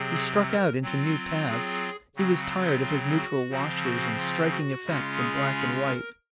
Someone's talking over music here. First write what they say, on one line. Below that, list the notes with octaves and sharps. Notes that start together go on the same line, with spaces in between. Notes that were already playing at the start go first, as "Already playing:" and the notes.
He struck out into new paths; he was tired of his neutral washes, and striking effects in black and white.
Already playing: C3 F#3 C4 G#4
A#4
F#3 C4 F4
G#4
C#3 F#3 C4 F#4
F4
F#4
C#3 F3 C4
F#4
F4
F#4
C#3 G#3 C#4 F4
G#4
A#4